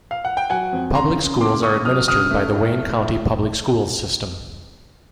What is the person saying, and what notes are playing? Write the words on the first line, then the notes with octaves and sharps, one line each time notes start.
Public schools are administered by the Wayne County Public Schools system.
F5
F#5
G5
F#3 F#5 G#5
F2
C#3 A#5 C6
C#3
A#3 C6 D6
C#3 C#6 D#6
F#3 D#6 F6
C#3 D#6 F6
A3
A2
A3
A2